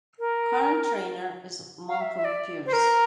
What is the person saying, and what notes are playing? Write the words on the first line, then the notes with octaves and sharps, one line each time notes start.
Current Trainer is Malcolm Pierce.
A#4
F5
E5
E5
D5
C5
A#4